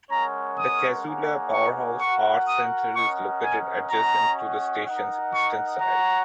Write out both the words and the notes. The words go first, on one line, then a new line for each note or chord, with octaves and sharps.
The Casula Powerhouse arts centre is located adjacent to the station's eastern side.
G#3 C#4 A#4 C#5 F#5 A#5
D#6
A#3 D#4 G#4 C#5 F#5
C#6
F#4 A#4 F#5 C#6
D#6
C#4 A#4 D#5 F#5 C#6
G#5
C#4 F#4 D#5 F#5 A#5
D#4 A#4 D#5 F#5
C#6
F#4 C#5 F#5 A#5